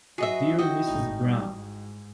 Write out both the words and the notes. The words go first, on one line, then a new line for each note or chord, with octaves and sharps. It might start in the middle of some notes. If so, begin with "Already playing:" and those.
Dear Mrs Brown.
F#3 F#4 G#4 B4 D#5 E5
E4 F#4 D#5 G5
G#1 A2 D#4
G3
G#2